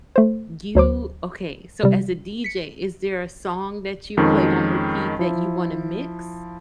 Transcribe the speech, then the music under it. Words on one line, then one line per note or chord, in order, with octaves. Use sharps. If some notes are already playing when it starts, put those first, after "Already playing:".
You okay, so as a DJ, is there a song that you play on repeat that you wanna mix?
A3 C5
D2 F#3 C5 D6
C3 G3
B6 C#7
F2 D#3 G#3 C#4 D#5 C#6
F3 E4